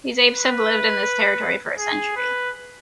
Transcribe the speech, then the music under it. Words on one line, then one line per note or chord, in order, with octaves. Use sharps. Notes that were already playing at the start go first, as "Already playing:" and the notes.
These apes have lived in this territory for a century.
B4
G#4
B4